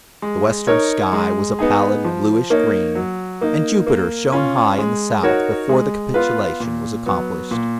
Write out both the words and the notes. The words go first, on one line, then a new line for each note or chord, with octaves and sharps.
The western sky was a pallid bluish green, and Jupiter shone high in the south, before the capitulation was accomplished.
G#3
D#4 A#4 C#5
G#3
B3 D#4 G#4
F3
A#3 D#4 A#4 C#5
F#3
A#3 D#4
A#3
C#4 F4
G#3
D#4 F#4 A#4 C#5
G#3
B3 F4 B4
A#2
F#3 B3
A#2